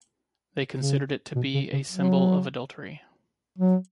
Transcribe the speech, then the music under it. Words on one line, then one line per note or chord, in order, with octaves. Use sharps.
They considered it to be a symbol of adultery.
C#3
B2
C#3
C#3
F#3
F#3